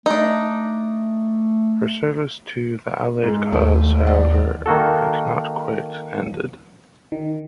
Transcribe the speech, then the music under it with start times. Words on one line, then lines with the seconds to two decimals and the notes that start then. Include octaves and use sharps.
Her service to the Allied cause, however, had not quite ended.
0.06 A3 D4 D#4
3.24 G#2 G#3
3.52 D#2 A3
4.07 D5 F#5
4.66 D#3 A#3 F#4 A4
7.12 D#3